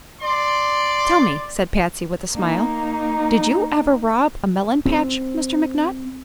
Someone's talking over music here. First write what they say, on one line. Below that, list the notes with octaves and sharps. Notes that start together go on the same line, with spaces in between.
"Tell me," said Patsy, with a smile, "did you ever rob a melon-patch, Mr. McNutt?"
D5 C6
A#3 D#4
C4